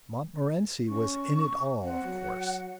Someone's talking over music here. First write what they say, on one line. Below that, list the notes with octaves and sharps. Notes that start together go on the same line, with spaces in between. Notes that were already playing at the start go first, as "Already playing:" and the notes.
Montmorency was in it all, of course.
C#4 C#6
C4 F#5
F#3